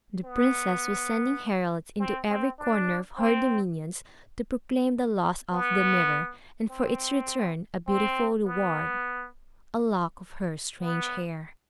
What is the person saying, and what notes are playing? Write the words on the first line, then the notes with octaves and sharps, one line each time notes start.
The princess was sending heralds into every corner of her dominions to proclaim the loss of the mirror, and for its return a beautiful reward--a lock of her strange hair.
B3
C4
C4
D4
C4
B3
C4
C4
B3
B3